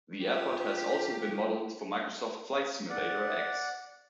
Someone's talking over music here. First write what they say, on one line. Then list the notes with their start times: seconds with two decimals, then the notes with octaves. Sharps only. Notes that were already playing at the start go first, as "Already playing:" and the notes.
The Airport has also been modelled for Microsoft Flight Simulator X.
0.24 F4 G4
2.90 D5 F#5